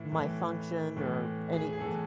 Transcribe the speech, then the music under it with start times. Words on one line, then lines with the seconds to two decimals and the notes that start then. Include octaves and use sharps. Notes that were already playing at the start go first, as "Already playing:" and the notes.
my function or any p
Already playing: A2 E3 E4
0.12 A2 E3
0.97 A2 E3
1.53 G#4
1.73 G#4
1.79 A2 E3 A4